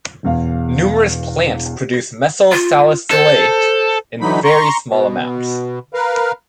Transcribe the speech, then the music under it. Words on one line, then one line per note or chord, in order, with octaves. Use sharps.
Numerous plants produce methyl salicylate in very small amounts.
E1 E2 F5
F4
A4 C5
D3 E3 F#3 D#4 B5
A#5 C6 C#6
B2
A#4 B4 F5